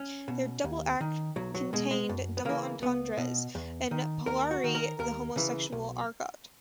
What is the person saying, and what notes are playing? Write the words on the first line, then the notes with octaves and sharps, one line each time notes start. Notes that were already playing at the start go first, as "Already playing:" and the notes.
Their double act contained double entendres and Polari, the homosexual argot.
Already playing: C#4
B2
D#2
D#3
B1 F#3
F#3
B2 G#3
G#3
F#2
B3
C#3 E3 A#3
C#2 B3
B2
E2
D#3
D#2 A#4
F#4
D#3
A#4
D#2 A#4
C#3 E3
B1